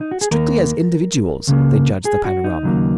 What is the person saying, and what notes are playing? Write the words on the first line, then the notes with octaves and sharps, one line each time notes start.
Strictly as individuals they judge the panorama.
D#4
F#4
G#4
D#2 D#3 A#3 A#4
C#2 C#3 A#3
G#4
F#4
D#4
D#2 C#3 F#3 A#3